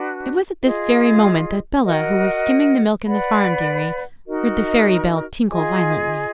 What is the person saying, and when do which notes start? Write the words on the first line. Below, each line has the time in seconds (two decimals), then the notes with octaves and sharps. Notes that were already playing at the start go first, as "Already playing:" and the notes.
It was at this very moment that Bellah, who was skimming the milk in the farm dairy, heard the fairy bell tinkle violently.
Already playing: D4 F#4 B4
0.61 F4 G#4 D#5
1.83 F#4 A#4 D#5 F#5
3.05 B4 D5 F#5 B5
4.27 D#4 F#4 A#4 D#5
5.49 F4 G#4 D#5 G#5